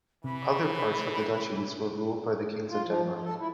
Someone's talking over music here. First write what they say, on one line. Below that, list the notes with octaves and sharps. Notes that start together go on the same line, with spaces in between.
Other parts of the duchies were ruled by the kings of Denmark.
C3 E3 B5
F4
F3
F3
A4
E4